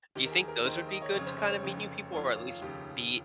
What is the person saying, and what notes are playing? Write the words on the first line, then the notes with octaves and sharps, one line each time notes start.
Do you think those would be good to kinda meet new people or at least be
D#2 D#3 G4
A#4
G#4
A#4
D#2 D#3 C5
C5
D#5
C#5
F1 F2 C#3 C#5
C5
C#5
C5
F1 F2 C#3
F1 D#2 C#3 F3 C#5
F4
F4
F4
F1 D#2 C#3 F3 G4